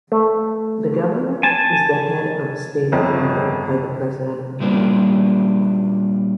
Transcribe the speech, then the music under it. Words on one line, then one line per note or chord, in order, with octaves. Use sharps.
The Governor is the head of state appointed by the President of India.
A3
G#5 A5
G1 F2
A#2 F#3 G3 A#3 D4 F4